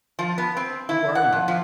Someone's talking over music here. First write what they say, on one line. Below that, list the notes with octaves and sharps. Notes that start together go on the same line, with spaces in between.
"Who are you?"
F3
B3
C4
E4
F#5
F2
F3